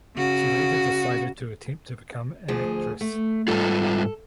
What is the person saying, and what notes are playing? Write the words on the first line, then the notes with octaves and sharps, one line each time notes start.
She later decided to attempt to become an actress.
C#3 F#4
D2 F3 G#4
A3
G#2 G3 F4 A4